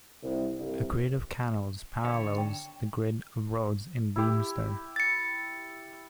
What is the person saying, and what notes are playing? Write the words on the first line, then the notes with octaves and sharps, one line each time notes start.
A grid of canals parallels the grid of roads in the Beemster.
C2
C2 G2
D3 A4 C#5 D5 F5
G5
E4 G4
A6 C#7